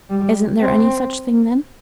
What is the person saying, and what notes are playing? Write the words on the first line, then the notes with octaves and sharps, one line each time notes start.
"Isn't there any such thing, then?"
G3
C4